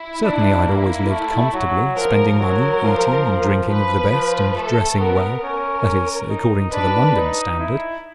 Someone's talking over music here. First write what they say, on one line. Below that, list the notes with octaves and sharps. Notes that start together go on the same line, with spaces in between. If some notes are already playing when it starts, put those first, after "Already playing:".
Certainly, I had always lived comfortably, spending money, eating and drinking of the best, and dressing well--that is, according to the London standard.
Already playing: E4
D4
A#3 E4
A3
F#3
F3 A#4
F#3 A#4
F3
F3
F3 B4
F3
A3 A4
B3 A#4
C#4 A#4
D#4
D4 B4
D#4
E4